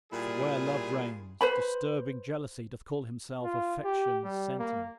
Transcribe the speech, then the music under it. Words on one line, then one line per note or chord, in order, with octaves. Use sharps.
"For where love reigns, disturbing jealousy Doth call himself affection's sentinel."
A#2 G3 E4 F4 G#4
B4 C5 B5
F4
G4
G3
A#3